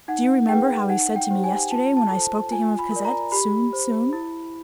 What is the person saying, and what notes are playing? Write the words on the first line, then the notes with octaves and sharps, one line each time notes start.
Do you remember how he said to me yesterday, when I spoke to him of Cosette, Soon, soon?
D#4 F#5
G#4 B4 G5
D#4 F#5
G5
G4 C5
G#5
F4 A5
A5
A4
C5
F4 G#5
B5
A#4 D5
A#5
G4 B5
C5
E4